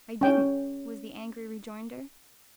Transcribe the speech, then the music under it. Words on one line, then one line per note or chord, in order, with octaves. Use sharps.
"I didn't," was the angry rejoinder.
C#4 G5